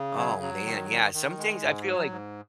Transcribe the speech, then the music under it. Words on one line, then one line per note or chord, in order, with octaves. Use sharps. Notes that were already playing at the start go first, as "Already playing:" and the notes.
Oh, man, yeah, some things I feel like
Already playing: C#3
F#3
F#3
D#3
D#3
D#3
G#3
G#2
F#3
G#2